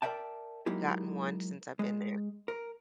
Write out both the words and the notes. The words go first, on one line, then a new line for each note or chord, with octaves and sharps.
gotten one since I've been there.
A#4 D5 E5 G5 A5
F#3 G#3 A#3 D#4 E4 G4
G#3
A#4